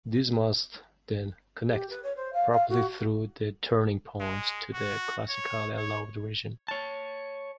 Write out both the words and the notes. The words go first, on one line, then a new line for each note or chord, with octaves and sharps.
These must then "connect" properly through the turning points to the classically allowed region.
G4
B4
C#5
C5
F5
F5
F#4
G#3
F#4
C#5
C#5
C#5 A5